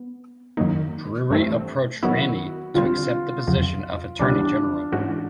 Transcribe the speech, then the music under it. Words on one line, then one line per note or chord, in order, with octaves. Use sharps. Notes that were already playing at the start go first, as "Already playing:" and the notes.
Drury approached Raney to accept the position of Attorney-General.
Already playing: B3
F#2 D#3 F#3 A#3 D#4
G2 E3 A3 C4
D#3 F#3 B3 E4 F#4
D3 G3 C4 F4
F2 C#3 F#3
C#3 E3 G3 B3 D4
G#2 E3 G#3 C#4 F#4